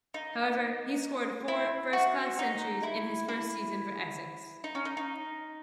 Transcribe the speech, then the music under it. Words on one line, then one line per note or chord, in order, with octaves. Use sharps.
However, he scored four first-class centuries in his first season for Essex.
D#4
E4
F#4
D#4
E4
E4
D#4
C#4
D#4
D#4